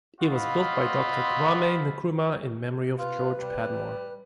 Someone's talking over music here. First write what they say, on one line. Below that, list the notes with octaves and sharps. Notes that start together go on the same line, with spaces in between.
It was built by Doctor Kwame Nkrumah in memory of George Padmore.
C4 F4 F#4 D#5 F5 B5
F4 B4
G3